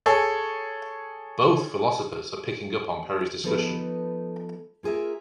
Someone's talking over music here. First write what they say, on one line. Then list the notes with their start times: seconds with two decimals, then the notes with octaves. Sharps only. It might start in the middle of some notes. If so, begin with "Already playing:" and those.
Both philosophers are picking up on Perry's discussion.
0.06 G#4 A4 C#5
3.44 F3 A3 B3 D#4 A4 B4
4.83 A#3 F4 G#4 A#4 E5